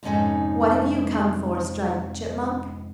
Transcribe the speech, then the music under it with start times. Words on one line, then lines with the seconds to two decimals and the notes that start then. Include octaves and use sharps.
"What have you come for, Striped Chipmunk?"
0.03 F2 G#2 C3 C#4 D#4 G#5